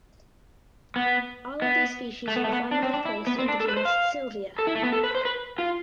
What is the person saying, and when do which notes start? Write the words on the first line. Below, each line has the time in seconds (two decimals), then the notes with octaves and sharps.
All of these species were formerly placed in the genus "Sylvia".
0.96 B3
1.62 B3
2.28 A3
2.36 B3
2.44 A3
2.53 B3
2.71 D4
2.83 C4
2.94 D4
3.05 E4
3.27 B3
3.39 C4
3.48 D4
3.60 A4
3.68 B4
3.77 C5
3.85 F5
4.59 A4
4.67 E4
4.75 A3
4.83 B3
4.93 A4
5.04 B4
5.15 C5
5.25 B4
5.58 F4